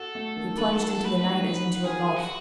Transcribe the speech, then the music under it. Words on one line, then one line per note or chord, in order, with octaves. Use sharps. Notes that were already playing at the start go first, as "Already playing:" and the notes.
He plunged into the night as into a gulf.
Already playing: F#4 A4
A3
D#3
D#3 B4
A4
F#4
A4
A3
B4
D#4 B4
D#4
F#4
D#3 G#4
F#3
F#4